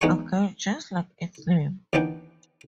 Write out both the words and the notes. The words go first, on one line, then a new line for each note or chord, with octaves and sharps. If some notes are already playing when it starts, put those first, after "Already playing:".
Again, just like its name.
E2 G#3 D#4 F#5 G#5 C#6
D#2 D#3 E3 B3 D4 G5